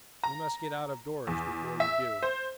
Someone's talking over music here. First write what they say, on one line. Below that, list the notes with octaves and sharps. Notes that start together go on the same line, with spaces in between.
We must get out of doors before you do.
A#5
E2
E5
C5